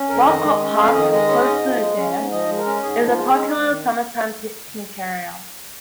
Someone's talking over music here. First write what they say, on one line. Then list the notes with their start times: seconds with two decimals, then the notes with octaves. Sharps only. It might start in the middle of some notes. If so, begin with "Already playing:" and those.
Walcott Park, close to the dam, is a popular summertime picnic area.
Already playing: C#4
0.09 F2 A#4
0.27 D#3 D#5
0.43 G#3
0.61 C#4
0.78 F2 F5
0.95 D#3 D#5
1.12 G#3 D#5
1.29 C#4
1.46 G#2
1.63 F3
1.80 G#3
1.98 C#4
2.15 G#2
2.32 F3 D#5
2.49 G#3
2.58 A#4
2.66 C#4
2.83 G#2 G#4
3.00 F3
3.09 F4
3.17 G#3
3.34 C#4 D#4
3.47 D#4
3.52 G#2
3.69 D#3